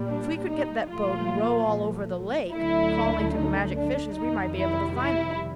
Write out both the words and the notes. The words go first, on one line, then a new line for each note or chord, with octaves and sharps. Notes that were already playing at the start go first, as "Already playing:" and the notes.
"If we could get that boat and row all over the lake, calling to the magic fishes, we might be able to find them."
Already playing: A#2 G3
D4
D#4
A#2 F3 A3 F4
D2 D3 F#3 A3 E4
D#4
D4
F2 C3 D#3 G3 D#4
E4
E4